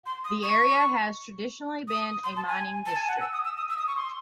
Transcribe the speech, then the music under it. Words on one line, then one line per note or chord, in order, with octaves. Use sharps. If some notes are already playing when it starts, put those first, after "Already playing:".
The area has traditionally been a mining district.
C6
D#6
C#6
D#6
C6
A5
G#5
A5
G#5
F#5
E6
D#6
E6
D#6
E6
D#6
C#6
C6